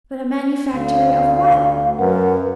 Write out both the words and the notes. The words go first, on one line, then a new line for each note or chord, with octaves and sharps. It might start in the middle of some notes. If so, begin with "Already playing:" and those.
But a manufactory of what?
D2 F5
F#2 A#4 B4 F#5